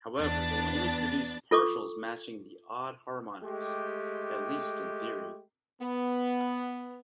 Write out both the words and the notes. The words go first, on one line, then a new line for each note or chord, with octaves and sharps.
However they only produce partials matching the odd harmonics, at least in theory.
E2 B3 D4 A6
F4 A4 C#6 D6
G#3 A3 G4
B3